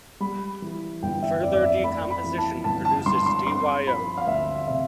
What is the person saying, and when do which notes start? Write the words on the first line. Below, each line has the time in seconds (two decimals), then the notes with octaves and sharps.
Further decomposition produces DyO.
0.20 G3 B5
0.62 E3
1.03 G1 G5
1.23 E5
1.42 F2 D5
1.53 D5
1.63 E5
1.83 A3 B5
2.10 B5
2.24 E3
2.38 A5
2.64 G1 A5
2.85 A5
3.06 G2 C6
3.26 C6
3.47 C4 C6
3.86 F3 B5
4.18 F5
4.27 D2 E5
4.68 C3 E5